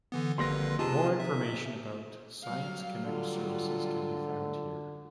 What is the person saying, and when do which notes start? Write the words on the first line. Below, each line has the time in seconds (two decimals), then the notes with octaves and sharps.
More information about Science Connect services can be found here.
0.12 D3 E3 B3
0.38 G#1 D3 F3 G3 A#3 B4 C6 A#6
0.79 C3 D#4 F4 G#4 A5
1.20 E5
2.44 F#3 G3 F5
3.05 D3 F4